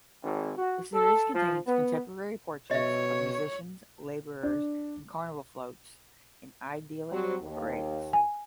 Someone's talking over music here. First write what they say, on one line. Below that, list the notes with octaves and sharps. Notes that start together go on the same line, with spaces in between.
The series contains contemporary portraits of musicians, laborers, and carnival floats in idyllic parades.
G#1
F#4
A4
F3
B3
B2 C#5 D#5 E5
D4
F#3 G3 C4
D#2
G#5